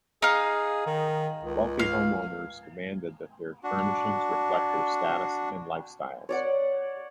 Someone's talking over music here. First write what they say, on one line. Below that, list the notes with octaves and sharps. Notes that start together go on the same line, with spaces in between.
Wealthy homeowners demanded that their furnishings reflect their status and lifestyles.
D#4 G#4 F5
D#3
C#2
F5
D4 F#4
C#5 D5 F#5